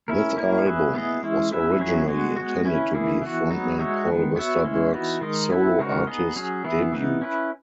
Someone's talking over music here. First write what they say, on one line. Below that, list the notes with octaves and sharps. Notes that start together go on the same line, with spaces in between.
This album was originally intended to be front man Paul Westerberg's solo artist debut.
C#4 E4 A#4
A#3 E4 A#4
C#4 G#4 B4 E5
B3 E4 G#4 D#5
E3 G#3 C#4 E4
C#4 E4 B4 E5
F#3 C#4 E4 G#4
G#3 B3 F#4
G#3 B3 F#4
C#4 E4 B4
C#3 E3 A#3 E4 G#4
E3 B3 F#4
F#3 B3 D#4
G#3 D#4 F#4 C#5 E5
D#3 G#3 B3
B3 F#4 C#5 E5
G#3 C#4 E4
E3 B3 D#4 F#4 B4
D#3 G#3 D#4 A#4 D#5
B3 E4 B4 E5
C#3 G#3 D#4 F#4 A#4
B3 D#4 G#4 D#5
F#3 C#4 G#4
E3 B3 E4 G#4
E3 B3 D#4
C#4 E4 B4